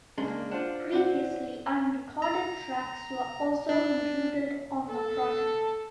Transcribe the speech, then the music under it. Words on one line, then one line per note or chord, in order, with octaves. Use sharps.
Previously unrecorded tracks were also included on the project.
C#3 G#3 A#3 D4
D4 F4 C5 F#5
C4 E4 D5 F#5
A#5
D4
A4